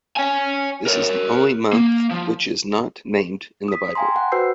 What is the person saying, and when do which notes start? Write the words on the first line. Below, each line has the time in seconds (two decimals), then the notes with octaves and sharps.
This is the only month which is not named in the Bible.
0.16 C#5 G#5
0.86 A#4 C#5
1.73 A#3
2.11 F3
3.68 D#6 B6
3.95 F5 G5 G#5 A#5 C6
4.16 F#5
4.32 F#4 B4 C5 E6 G6 C7